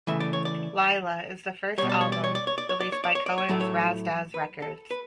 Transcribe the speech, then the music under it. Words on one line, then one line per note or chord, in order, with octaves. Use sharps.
"Lyla" is the first album released by Cohen's Razdaz Recordz.
C#3 E3 A3 E5
D5
C#5
D5
B2 G3 C#5
D5
C#5
D5
C#5
D5
C#5
D5
C#5
D5
C#5
D5
C#5
D5
C#5
A2 F#3 A3 D5
C#5
B4
A4
B4